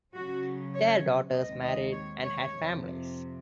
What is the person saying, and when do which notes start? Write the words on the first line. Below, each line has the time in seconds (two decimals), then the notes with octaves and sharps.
Their daughters married and had families.
0.14 C#3 F#3 C#4 F#4
0.74 C#5
1.33 D#2 D#3 G#3 C4 D#5
1.62 D#5
1.92 C#5
2.22 C#5
2.51 F2 C3 F3